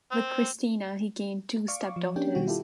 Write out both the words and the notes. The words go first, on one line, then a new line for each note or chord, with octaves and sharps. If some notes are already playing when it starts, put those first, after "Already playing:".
With Christina, he gained two step-daughters.
C4
D5 F5 C#6 D6
F3
A#3 C#4 D4 G4 G5
B2 D#3 G3 F#4
E4 F4 G4 A4